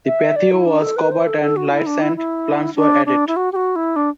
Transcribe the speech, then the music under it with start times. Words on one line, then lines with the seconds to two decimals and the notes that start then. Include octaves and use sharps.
The patio was covered and lights and plants were added.
0.06 E5
0.36 D5
0.52 E4
0.66 D4
0.81 A4
0.96 B4
1.12 C5
1.26 A4
1.42 A4
1.57 F#4
1.72 E4
1.86 D4
2.02 E4
2.17 E4
2.76 D4
3.06 D4
3.27 E4
3.36 F#4
3.52 G4
3.56 F#4
3.76 E4
3.96 D4